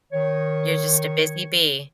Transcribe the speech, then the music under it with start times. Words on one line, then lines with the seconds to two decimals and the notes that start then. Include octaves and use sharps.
You're just a busy bee.
0.12 D#3 C#5